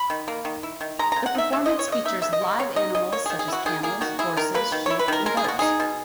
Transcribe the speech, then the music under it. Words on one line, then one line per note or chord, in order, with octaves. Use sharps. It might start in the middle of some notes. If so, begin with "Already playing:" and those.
The performance features live animals, such as camels, horses, sheep, and goats.
Already playing: B5
D#3
A#3
D#3
E4
D#3
G#3 A#5
C#3 A#5
F#5
D#4 E5
C#3 E5
G#3 D#5
C#5
C#3 D#5
D#4 E5
C#3 E5
D#5
G#3
C#3 C#5
D#4 D#5
C#3 D#5
A#3 C#5
D#3 G#4
G#4
E4 F#4
D#3 G#4
A#3 G#4
D#3 F#4
E4 G#4
D#3 A#4
A#3 B4
D#3
E4 C#5
B4
D#3 A#4
G#3 A#4
G#4
B2 F#4
D#4 G#4
B2